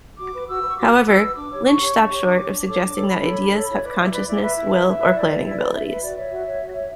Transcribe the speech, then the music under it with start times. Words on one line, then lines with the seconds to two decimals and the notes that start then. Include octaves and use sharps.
However, Lynch stopped short of suggesting that ideas have consciousness, will or planning abilities.
0.19 F#4 D6
0.33 B4
0.48 F#4 E6
0.62 B4
0.69 C#6
0.77 F#4 D6
0.92 B4
0.98 D6
1.06 F#4 E6
1.20 B4
1.35 D4 D6
1.49 G4 C#5
1.64 D4 C#6
1.80 G4 C#5
1.93 D4
2.09 G4 C#5
2.19 C#6
2.23 D4 D6
2.37 G4 C#5 D6
2.51 D4 D6
2.66 A4 C#5 D6
2.81 D4
2.95 A4 C#5
3.10 D4 B5
3.24 A4 C#5
3.39 D4
3.54 A4 C#5
3.68 E4 C#5
3.83 B4 D5
3.97 E4 D5
4.12 B4 D5
4.27 E4 D5
4.41 B4 E5
4.56 E4
4.70 B4
4.85 E4 E5
5.00 B4
5.05 C#5
5.14 E4 D5
5.29 B4
5.43 E4 D5
5.58 B4
5.73 E4 E5
5.87 B4 E5
6.02 F#4 D5
6.16 C#5 E5
6.30 F#4
6.46 C#5
6.60 F#4
6.74 C#5